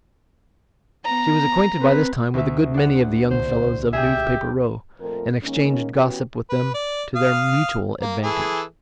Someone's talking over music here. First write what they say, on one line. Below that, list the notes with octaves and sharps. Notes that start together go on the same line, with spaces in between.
She was acquainted by this time with a good many of the young fellows of Newspaper Row; and exchanged gossip with them to their mutual advantage.
B3 A#5
C4 B4
D2 E5
D4 F#5
C2 A#2 D3 C5
G4 G#4 E5 G#5
F2 A#2 A3 A#4
D#3 G#3 A#3 C#4
E3 B3 C#4 F#4 G4
B4
D5
F5 D#6 F6
A#3
E3 G#4 A4